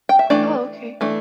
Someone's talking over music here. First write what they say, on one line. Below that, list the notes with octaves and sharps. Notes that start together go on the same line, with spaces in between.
Oh, okay.
G5
E5
E3 A3 D4 D5
E3 A3 D4